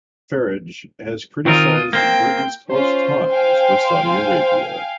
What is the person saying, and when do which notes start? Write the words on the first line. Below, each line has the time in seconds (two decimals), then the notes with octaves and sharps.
Farage has criticised Britain's close ties with Saudi Arabia.
1.46 D#3 C4 F4 A#4 D#6
1.93 A#3 C4 G5
2.69 C#4 F4 C5
3.30 F5 G5 G#5